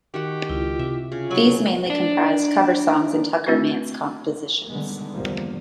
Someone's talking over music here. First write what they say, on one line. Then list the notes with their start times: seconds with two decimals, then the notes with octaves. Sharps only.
These mainly comprised cover songs and Tucker-Mantz compositions.
0.14 D#3 F#4 G4 F#5
0.49 C#2 E4 F4
0.79 C3 E5
1.12 C#3 F4
1.30 F#3 D#5 G#5 B5
1.90 D4
3.47 A3 C4 D4 E4 F#4
4.69 D3 D#3 G3 G#3 B3
5.13 E2 G2 D3 F3 G3 A#3